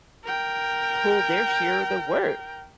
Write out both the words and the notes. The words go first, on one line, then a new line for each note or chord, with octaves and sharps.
pull their share of the work,
A#4 G5